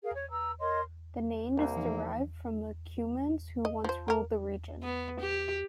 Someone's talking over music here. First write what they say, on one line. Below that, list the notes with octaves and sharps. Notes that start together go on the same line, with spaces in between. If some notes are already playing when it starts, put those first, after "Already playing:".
The name is derived from the Cumans who once ruled the region.
G#4 A#4 F5
C#5
B4 A#5 E6
A#4 C#5 D#5 C6
C2 A#3
E3 F3 D#4
D#5
F3 C5
A#3 A#4
B3
G4